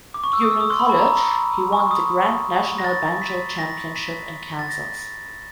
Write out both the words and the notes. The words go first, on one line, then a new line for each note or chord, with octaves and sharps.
During college, he won the Grand National Banjo Championship in Kansas.
D6
C#6
E6
D#6
E6
D#6
C6
B5
A5
A#5
C#6
D#6
A#6
A6
B6
A#6
B6
A6
A#6